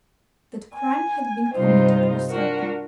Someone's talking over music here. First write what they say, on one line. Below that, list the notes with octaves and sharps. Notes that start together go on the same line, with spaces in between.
That crime had been committed was certain.
G#5
G2 C3 G3 D#4 F4 C5
D4 F4 F#4 A#4